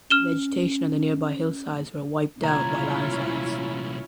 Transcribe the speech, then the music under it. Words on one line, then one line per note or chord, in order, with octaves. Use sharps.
Vegetation on the nearby hillsides were wiped out by landslides.
C#4 F6 E7 G7
C2 A#2 C#4 E4 F4 A#5 G#6